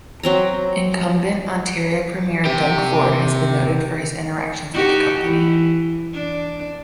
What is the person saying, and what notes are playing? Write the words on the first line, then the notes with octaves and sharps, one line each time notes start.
Incumbent Ontario premier Doug Ford has been noted for his interactions with the company.
F#3 C4 A#5
C3 G4
D#4 F#4 G4
E3
D4